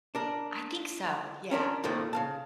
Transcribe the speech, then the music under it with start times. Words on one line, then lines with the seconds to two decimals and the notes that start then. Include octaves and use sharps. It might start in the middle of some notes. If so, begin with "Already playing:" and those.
I think so, yeah.
0.15 D4 A#4
1.51 C#4 D4 G4 A#4
1.84 F2 A2 D#3 F3 A3 A#3
2.13 C#3 F5 A5